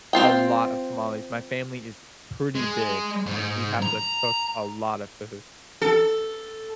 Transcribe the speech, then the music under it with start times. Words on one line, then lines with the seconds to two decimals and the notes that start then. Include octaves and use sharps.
a lot of tamales; my family is pretty big, and we have to cook a lotta food.
0.13 C4 F4 G5
2.55 G#3
3.26 G#2
3.82 A#5
5.82 A4